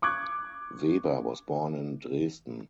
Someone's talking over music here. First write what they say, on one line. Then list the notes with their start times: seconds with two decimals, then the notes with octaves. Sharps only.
Weber was born in Dresden.
0.02 C#6 D6 F#6 G#6